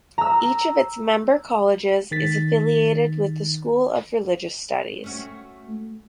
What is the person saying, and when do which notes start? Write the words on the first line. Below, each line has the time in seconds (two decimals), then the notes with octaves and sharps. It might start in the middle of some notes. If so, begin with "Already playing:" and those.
Each of its member colleges is affiliated with the School of Religious Studies.
0.18 A#5 E6
2.11 D#3 A6 B6
5.04 A3 C#4 F#4